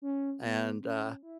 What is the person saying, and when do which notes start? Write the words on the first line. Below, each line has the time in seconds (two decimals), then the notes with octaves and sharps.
And, uh
0.02 C#4
0.42 B3
0.83 C#4
1.23 E4